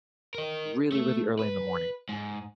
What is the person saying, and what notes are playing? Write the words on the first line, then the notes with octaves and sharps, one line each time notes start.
really, really early in the morning,
A#4 D#5
A3
B4
G#2